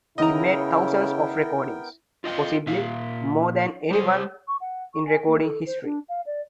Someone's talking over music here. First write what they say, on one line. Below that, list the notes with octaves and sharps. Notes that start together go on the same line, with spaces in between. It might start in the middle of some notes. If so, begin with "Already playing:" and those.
He made thousands of recordings, possibly more than anyone in recording history.
C#3 B3 E4 A#4 D#5 G5 A#5
F4 D#5 F5 G5
A#2 E5 F5
G3 C5
C#6
F#5
C#6
G#5
A#3
A4
C5
D4
F5
D5